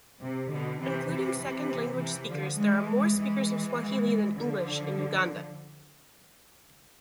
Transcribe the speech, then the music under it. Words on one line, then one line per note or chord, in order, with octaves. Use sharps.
Including second-language speakers, there are more speakers of Swahili than English in Uganda.
C3
B2 D3
C3 E3
C3 E3
C3 E3
C3 E3
D3 F3
E3 G#3
E3 G#3
D3 F3